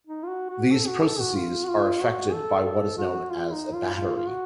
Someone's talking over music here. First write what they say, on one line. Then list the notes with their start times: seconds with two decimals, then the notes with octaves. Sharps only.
These processes are effected by what is known as a battery.
0.07 D#4
0.24 F4
0.28 F#4
0.50 F#4
0.72 A4
0.88 F#4
1.04 A4
1.21 F#4
1.36 F4
1.64 F#4
1.69 F4
2.01 F#4
2.33 A4
2.66 A4
2.98 F#4
3.31 F4
3.52 D#4
3.73 F4
3.94 F4
4.16 F4
4.28 F#4